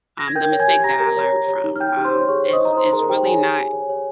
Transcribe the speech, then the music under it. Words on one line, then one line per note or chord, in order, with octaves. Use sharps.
um, the mistakes that I learned from, um, is is really not
A#6
G#6
A#4 G5 G6
C#5
G#5 G#6
G4
G4 A#5 A#6
A#4
C#5
G4
C#5
D#4
F6
D#4 G5 G6
G4
C5 C6
C#5
G#4 C#5 C#6
C5
D#5 D#6
D#4 A#5
D#4 C5 C6
G#4 A#4 A#5
G4 C5 G5
G#4 C#5 G#5
G4
G4
C#5
C#5